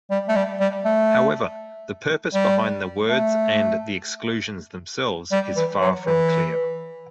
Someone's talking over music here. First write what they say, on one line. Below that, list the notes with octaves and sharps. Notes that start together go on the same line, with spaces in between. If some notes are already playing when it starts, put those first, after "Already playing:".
However, the purpose behind the words and the exclusions themselves is far from clear.
G3
A3
G3
G3
A3
G3
A3
G3
E3
F#3
E3